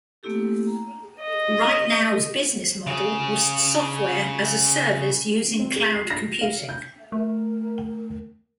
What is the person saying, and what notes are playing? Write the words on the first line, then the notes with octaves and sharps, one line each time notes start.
RightNow's business model was software as a service using cloud computing.
A3 A#3 C4 E4 G4 A4
A#5
D#5
C#3 G#4
C4
G#4
C7
A#6
F5
G6
A3 A#4